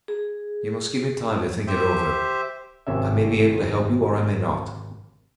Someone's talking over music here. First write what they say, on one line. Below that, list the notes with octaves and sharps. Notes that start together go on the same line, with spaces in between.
You must give me time to think it over; I may be able to help you or I may not.
G#4
G4 C5 E5
G#1 C3 C#4 E5